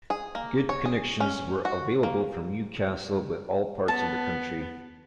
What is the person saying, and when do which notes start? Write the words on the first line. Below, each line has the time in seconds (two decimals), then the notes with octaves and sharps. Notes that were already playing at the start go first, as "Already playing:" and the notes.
Good connections were available from Newcastle with all parts of the country.
0.10 G#4
0.35 A#3
0.69 C#5
0.85 G#4
1.20 C#4
1.65 F#4
2.03 A#3
3.88 B3 A5